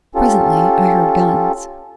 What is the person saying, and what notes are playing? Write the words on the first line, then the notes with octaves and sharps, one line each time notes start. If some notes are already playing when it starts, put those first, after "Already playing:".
'Presently I heard guns.
C#4 F4 G4 A4